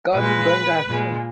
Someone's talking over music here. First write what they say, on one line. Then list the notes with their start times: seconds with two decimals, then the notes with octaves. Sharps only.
God we're going to have fun.
0.14 A#2 G#3 B4
0.87 A#2 G#3